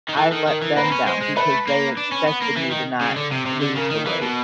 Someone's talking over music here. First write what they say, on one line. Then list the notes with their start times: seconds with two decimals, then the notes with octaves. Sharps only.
I let them down because they expected me to not lose the weight
0.09 D#3
0.17 E3 A4
0.32 D#3
0.47 D#3 A#4
0.62 E3
0.77 A#3 B4
0.86 C4
0.92 C#4
1.07 G#3 C5
1.22 G#3
1.37 A3 B4
1.67 A#3
1.97 D4
2.12 C#4
2.27 B3
2.42 A#3
2.57 E3
2.71 D#3
3.01 C#3
3.16 D3
3.32 C3
3.46 C3
3.61 D3
3.76 C#3 A#4
3.91 D#3
4.06 E3
4.22 B2